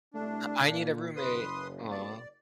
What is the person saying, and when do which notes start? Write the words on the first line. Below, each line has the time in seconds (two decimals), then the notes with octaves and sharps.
"I need a roommate." Aw.
0.14 C2 A3 D4
0.63 A#2
1.16 F#1 B4 C6 D#6
1.91 D5